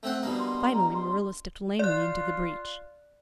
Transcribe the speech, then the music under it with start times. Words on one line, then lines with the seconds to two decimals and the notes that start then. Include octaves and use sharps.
Finally Marilla stepped lamely into the breach.
0.03 A3 C4 F#5
0.23 G2 B2 A#3
0.39 C6
0.74 A#5
0.94 C6
1.79 F4 D5 F#6